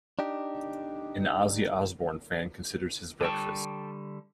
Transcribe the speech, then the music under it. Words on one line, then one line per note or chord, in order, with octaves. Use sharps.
An Ozzy Osbourne fan considers his breakfast.
D4 D#4 G4
D3 G3 A4 G5 A5 C#6